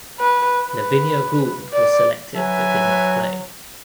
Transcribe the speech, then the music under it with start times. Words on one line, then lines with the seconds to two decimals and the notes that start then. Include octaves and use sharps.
Lavinia Gould was selected but did not play.
0.20 B4
0.62 B4
1.73 D5
2.35 F#3 B4 E5 G#5